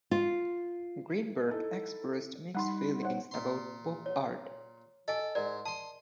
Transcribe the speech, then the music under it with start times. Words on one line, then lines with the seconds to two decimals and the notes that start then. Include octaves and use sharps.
Greenberg expressed mixed feelings about pop art.
0.11 F4
1.47 D#4 E4 A4
2.55 G3 D#4 F#5 B5 C6
3.03 C5 C#5 F#5
3.31 A#2 C6
4.06 C#5
5.08 A4 D#5 G#5
5.35 G#2 A#4 D5
5.66 A5 C6 D#6